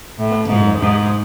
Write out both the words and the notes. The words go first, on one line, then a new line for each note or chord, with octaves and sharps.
"What do you wonder?"
A2
G#2
G#2